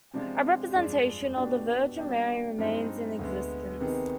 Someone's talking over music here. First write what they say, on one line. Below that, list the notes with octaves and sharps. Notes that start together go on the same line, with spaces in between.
A representation of the Virgin Mary remains in existence.
C3 F3 G#3 D4 F4
G2 F3 G#3 D4 G#4
B2 B3 D4 G4
B2 G3 D4 G4
G2 F3 G#3 C4 D#4
D2 D3 G#3 B3
C3 D#3 B3 D#4 G#4